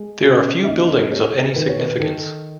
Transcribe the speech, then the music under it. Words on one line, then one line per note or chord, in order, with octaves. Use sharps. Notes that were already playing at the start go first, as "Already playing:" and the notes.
There are few buildings of any significance.
Already playing: G#3
C#3
E5
D#2 D#5
D#5
G#3 C#5
D#3 B4
C#5
B4
D#3 A4